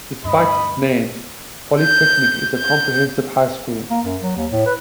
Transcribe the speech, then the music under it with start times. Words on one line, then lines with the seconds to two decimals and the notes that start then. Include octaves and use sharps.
Despite its name, Polytechnic is a comprehensive high school.
0.24 D2 G2 D#5 B5
1.80 G6
2.58 G6
3.90 A#3
4.05 F#2
4.21 F#3
4.36 D#2
4.51 A2
4.66 B4